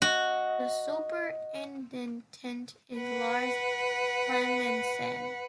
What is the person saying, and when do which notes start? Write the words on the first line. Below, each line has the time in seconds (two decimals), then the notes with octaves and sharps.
The superintendent is Lars Clemensen.
0.02 F#4 D#5
2.98 B4 F#5